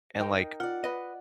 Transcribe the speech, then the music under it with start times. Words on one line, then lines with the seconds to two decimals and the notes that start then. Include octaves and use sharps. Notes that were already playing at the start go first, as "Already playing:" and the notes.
and, like,
0.20 D#4 A#4 G5
0.60 F4 D5 F#5
0.84 B4 D#5